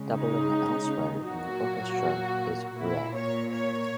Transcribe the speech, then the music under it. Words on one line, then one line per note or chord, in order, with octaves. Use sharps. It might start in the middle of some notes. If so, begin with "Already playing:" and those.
Doubling elsewhere in the orchestra is rare.
Already playing: C#3 G#3
D#4
A#2 F#3 A#3 F#4
A#2 A#3 E4
C#5
C#5